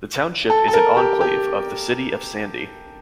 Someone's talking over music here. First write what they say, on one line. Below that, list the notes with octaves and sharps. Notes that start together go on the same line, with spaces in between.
The township is an enclave of the City of Sandy.
A4
A4
A#4
G4
G4